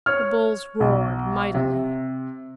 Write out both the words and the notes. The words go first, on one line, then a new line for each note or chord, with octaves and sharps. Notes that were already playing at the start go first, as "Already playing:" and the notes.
The bulls roared mightily.
C#5 F6
B1
C3